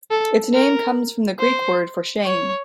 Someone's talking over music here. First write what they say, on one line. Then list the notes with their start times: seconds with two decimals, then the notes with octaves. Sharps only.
Its name comes from the Greek word for "shame".
0.11 A4
0.54 A#4
1.40 C5
2.26 C#5